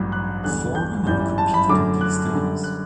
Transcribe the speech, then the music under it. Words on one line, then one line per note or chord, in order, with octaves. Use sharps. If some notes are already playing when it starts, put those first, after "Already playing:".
Four women competed in these games.
Already playing: A1 G2 F#3
F#6
E2 D3 G3 F#6
G6
G1 F#2 E3 G3 G6
A5
B5
F#2 D3 F#3 A3 D6
F#6
F#2 D3 G3
F#6